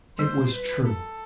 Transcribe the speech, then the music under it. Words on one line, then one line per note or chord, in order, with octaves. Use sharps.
It was true.
G3 C5
B4
A4